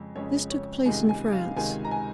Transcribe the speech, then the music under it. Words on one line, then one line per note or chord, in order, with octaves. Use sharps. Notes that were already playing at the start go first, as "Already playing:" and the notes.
This took place in France.
Already playing: F2 C#3 G#3
F2 C#3 G#3 C#4 C#5
C#5
C#2 C3 D#3 G#3 G#5
G#5
F5
C#2 C3 D#3 G#3 G#5
A#5
G#5